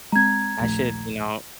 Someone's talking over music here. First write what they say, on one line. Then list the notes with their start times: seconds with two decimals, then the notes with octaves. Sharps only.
I should," you know,
0.12 G#3 C4 A#5 G#6
0.59 D#1 A#1 A3